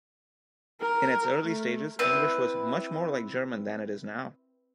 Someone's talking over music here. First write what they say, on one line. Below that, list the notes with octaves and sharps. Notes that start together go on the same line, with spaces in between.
In its early stages English was much more like German than it is now.
A#4
A3
C4 E4 B4 D5